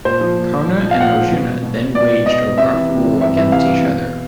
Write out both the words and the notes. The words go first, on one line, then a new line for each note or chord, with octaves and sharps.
Karna and Arjuna then waged a rough war against each other.
A#2 C5
F3
A#2
F3
A#2
F3
F5
A#2 F#5
F3
B2
B2
B2 D5
B2 D#5
C3 E5
E3
C3
E3
C3 E5
E3 E5
C3 F5
E3
B2